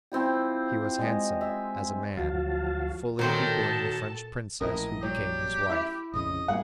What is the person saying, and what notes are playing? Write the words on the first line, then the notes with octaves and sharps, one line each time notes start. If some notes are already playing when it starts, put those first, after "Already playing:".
He was handsome, as a man, fully equaling the French princess who became his wife.
F3 C4 E4 G4
G#3 D#5
E5
D2 F3 F#3 F#4 F5 A5
A#2 D#3 F#3 A4 C5 A5
A#1 A2 E3 E4 A#4 D#5
F#3 G3 G4
E4 E5
A#1 F2 C#3 D#5
G#2 G3 A#3 G#4 F#5